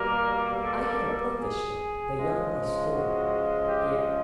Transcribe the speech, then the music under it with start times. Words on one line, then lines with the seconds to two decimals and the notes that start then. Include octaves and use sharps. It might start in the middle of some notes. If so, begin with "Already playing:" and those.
I have a protegee, the young Rostova, here.
Already playing: B2 G3 A#3 A#4
0.63 A4
1.39 G#4
2.15 C#3 F3 G#3
2.91 F#4
3.67 G4